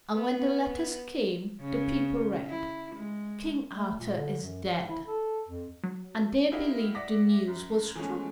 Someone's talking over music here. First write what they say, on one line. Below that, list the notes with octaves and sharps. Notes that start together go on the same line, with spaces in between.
And when the letters came the people read, "King Arthur is dead," and they believed the news was true.
B3
C#3
E4
G#3
A3
A#2
D3
F#2
F3
E4
A4
F2
F#3
E4 G4 A#4 D#5 F5 F#5
D5 E5 F#5 D6 A#6 B6
F#2
E3 F3 G#3 A3 B3 C#4